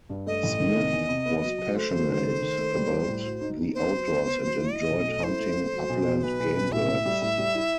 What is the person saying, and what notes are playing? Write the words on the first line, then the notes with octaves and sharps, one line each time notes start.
Smith was passionate about the outdoors and enjoyed hunting upland game birds.
G2
A3 D#5
A1
D#3
C3
E2
C3
B3
F#3
F#3
A3 C5
F#3
D#3
A3
D#3
A3
G3
G3
A2
F#4
D#4
D#4
B3 C5
F#3
B3
B3
F#3
E4
E4 D#5
B1
A3
E4 C5
A3
A3
F#3
B1
B2
B1 B4
B1
B1
A2 E5
A2
G3
A2
G3
E4